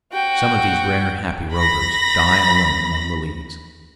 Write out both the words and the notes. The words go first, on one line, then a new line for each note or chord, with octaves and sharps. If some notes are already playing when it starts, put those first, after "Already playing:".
Some of these rare, happy rovers die alone among the leaves.
F#4 G5
B5 A#6